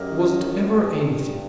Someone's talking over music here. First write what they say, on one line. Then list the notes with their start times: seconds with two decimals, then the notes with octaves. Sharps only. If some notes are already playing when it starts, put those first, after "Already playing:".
Was it ever anything?
Already playing: F#2 F#3 A#3 D#4 G4 A#4
0.74 G2